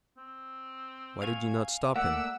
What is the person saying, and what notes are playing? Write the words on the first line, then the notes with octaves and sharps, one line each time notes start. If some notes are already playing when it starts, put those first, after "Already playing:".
"Why did you not stop him?"
C4
F5 G#5 C#6
A3 A#3 D5 E5 F#5 E6